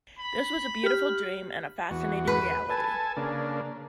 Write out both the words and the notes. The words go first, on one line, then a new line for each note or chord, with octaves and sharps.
This was a beautiful dream, and a fascinating reality.
B5
G4 F6
E2 F#4
B4
A4 G#5 A5
C#3 A#3 D4